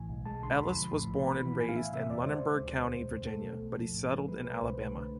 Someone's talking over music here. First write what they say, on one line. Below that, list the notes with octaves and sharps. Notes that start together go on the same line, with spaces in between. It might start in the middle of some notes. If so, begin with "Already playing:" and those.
Ellis was born and raised in Lunenburg County, Virginia, but he settled in Alabama.
Already playing: A1 A2 E3 G#5
B1
G#3 A5
D3 C6
B5
E2
F3
A2
B1
B3 B5
E3
A2 G#5
F5
E3 E5
C3 E5
E2 D5
G#3 C5
D3
D2
G#3
B2
E2
A3 A4
B2
B1
F3
A2
B1
G#3 B4
B2 B4
C2 C5
A3 B4
D3